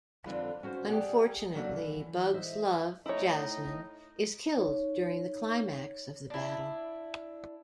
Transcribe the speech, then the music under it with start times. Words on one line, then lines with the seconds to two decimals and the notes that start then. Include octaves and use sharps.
Unfortunately, Bug's love, Jasmine, is killed during the climax of the battle.
0.26 F2 D3 C4 D4 F4 B4
0.63 C#4 F#4 C5
0.89 G4 G#4 B4 D5 F#5 G5
1.54 C#3 F#3 A3 A#3 D4
1.76 E3
2.34 C5 D#5 E5
3.06 A2 D#4 E4 C#5 D#5
4.57 D#4 C#5
6.30 D4 E4